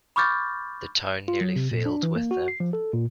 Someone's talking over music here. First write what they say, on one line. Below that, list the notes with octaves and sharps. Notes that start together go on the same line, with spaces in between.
The town nearly failed with them.
B5 C#6 D6 F6 G6 A6
F4
F#3
C3
A#2
D4
E3
A#3
F#4
C7
F3
A4
A#2